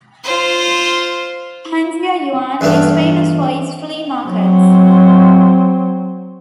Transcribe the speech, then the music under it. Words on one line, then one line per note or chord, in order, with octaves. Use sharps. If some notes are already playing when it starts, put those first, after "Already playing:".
Panjiayuan is famous for its flea markets.
F4 C5
E2 G2 A3 B3
F#3 C4